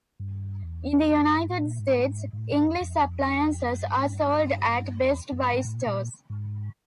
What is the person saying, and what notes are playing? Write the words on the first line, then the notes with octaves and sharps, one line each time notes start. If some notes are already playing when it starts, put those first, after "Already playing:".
In the United States, Inglis appliances are sold at Best Buy stores.
G2
E2
F2
F#2
G2
A2
A#2
G#2
G#2
A2
G#2
F2
F2
F#2
G2
G#2
G2
F2
E2
F#2
G2
G#2
A2
A#2
A#2
G#2